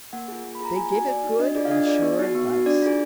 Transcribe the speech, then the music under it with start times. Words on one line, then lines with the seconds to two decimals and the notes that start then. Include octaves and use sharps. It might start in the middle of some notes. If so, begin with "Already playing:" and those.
They give it good and sure advice.
0.13 A#3 F#5
0.28 F4 G#4
0.44 A#3
0.55 B5
0.61 F4 G#4 A#5
0.76 A#3 G#5
0.92 D#4 F#4 G#5
1.08 A#3 D5
1.23 D#4 F#4
1.39 D4 D#5
1.55 F4 G#4 D5
1.65 F5
1.71 D4 D#5
1.87 F4 G#4 D5
2.02 B3
2.19 D#4 F#4
2.35 B3
2.50 D#4 F#4
2.66 D4 D5
2.82 F4 G#4